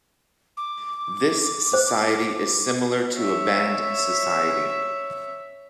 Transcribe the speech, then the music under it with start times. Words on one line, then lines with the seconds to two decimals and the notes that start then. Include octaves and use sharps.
This society is similar to a band society.
0.57 D6
1.73 C5
3.15 C#5 E5